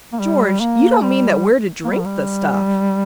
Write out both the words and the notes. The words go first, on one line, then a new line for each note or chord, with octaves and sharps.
"George, you don't mean that we're to drink the stuff?"
A#3
G3
A#3
G3
A#3
G3
F3
G3